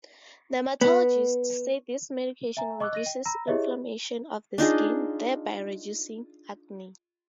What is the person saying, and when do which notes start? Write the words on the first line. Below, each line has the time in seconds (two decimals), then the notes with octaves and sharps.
Dermatologists say this medication reduces inflammation of the skin, thereby reducing acne.
0.81 B3
2.57 E5 G#5 A#5
2.80 D#5 C#6 D6 E6 F#6
2.93 D#5 A#6 D#7
3.06 G5
3.25 A#5 B5 E6 A#6
3.47 E4 G4 G#4 C#5 D#5 E5
4.58 D4 D#4 F4 G#4